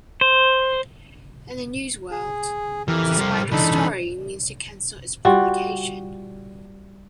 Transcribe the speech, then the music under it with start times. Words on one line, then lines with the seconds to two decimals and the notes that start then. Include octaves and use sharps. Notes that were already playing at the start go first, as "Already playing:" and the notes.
In the news world, to "spike" a story means to cancel its publication.
0.21 C5
2.11 G#4
2.88 F2 E3 G4 A#4
3.17 G3 C5
3.52 E3 D4 D#4 A4 B5
5.25 G3 F4 F#4